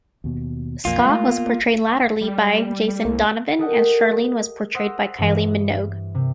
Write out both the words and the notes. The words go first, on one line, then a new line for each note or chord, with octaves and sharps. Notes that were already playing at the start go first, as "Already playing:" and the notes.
Scott was portrayed latterly by Jason Donovan, and Charlene was portrayed by Kylie Minogue.
D#2 B2
B1 F2 A#3 F4
G#3 A3
B3
G3
C2 A#3
G4 A4 A#4 D#5 F#5 G5
C5 F#5 C6 D#6 E6 A#6
G2 E3
C3